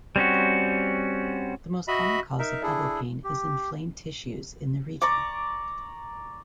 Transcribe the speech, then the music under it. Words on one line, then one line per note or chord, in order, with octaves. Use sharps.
The most common cause of elbow pain is inflamed tissues in the region.
G3 C4 C#4 F#4
F#4 D#5 E5 B5
D#4 A#4 E5
D4 E4 G#4 A4
G4
D5 A#5 C#6 D6